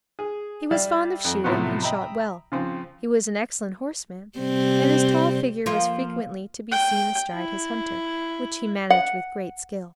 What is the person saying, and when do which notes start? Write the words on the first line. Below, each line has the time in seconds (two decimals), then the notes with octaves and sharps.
He was fond of shooting and shot well; he was an excellent horseman and his tall figure was frequently to be seen astride his hunter, which he managed with great skill.
0.19 G#4
0.71 G3 G4 D5 E5 F5
1.25 F2
1.44 A2 C3 F3 F#3 B3 F#4
1.82 D#5 E5 G5 A#5 B5
2.52 C#3 F3 C4
4.38 C3 G3 C4
5.66 F3 A#3 F4
6.71 G5
7.33 E4
8.90 F#5